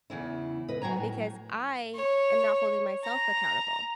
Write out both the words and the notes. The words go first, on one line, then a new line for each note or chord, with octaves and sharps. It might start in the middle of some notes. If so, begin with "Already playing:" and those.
because I am not holding myself accountable.
E2 C#3 E4
B4 D#5
F#3 F#4 G#5 A#5
A2
C#5
A#5